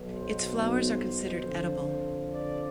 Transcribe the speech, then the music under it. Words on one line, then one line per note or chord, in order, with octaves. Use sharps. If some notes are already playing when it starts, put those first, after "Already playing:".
Its flowers are considered edible.
Already playing: B1 B2
C5
F2 D3 F3
D5